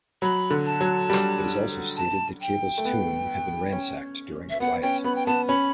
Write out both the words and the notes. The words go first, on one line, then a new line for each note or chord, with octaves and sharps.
It is also stated that Keble's tomb had been ransacked during a riot.
F#3 B5
D3
A5
F#3
G3
A5
G5
A3
B3
C#4
E5
B3 F#5
C#4 G5
B3 B5
G5
B3 A5
C#4 B5